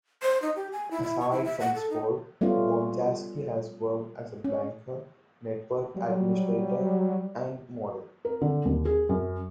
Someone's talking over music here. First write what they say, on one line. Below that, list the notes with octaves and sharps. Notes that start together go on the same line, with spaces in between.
Aside from the sport, Bonjasky has worked as a banker, network administrator, and model.
C5
D#4
G4
G#5
E4
E4
C#6
E4
E5
F#5
A4
D#4
G3 A3 B3 C#4 F4
C#4
F#3 G3
A#4
D3
D#2
G#4
F#2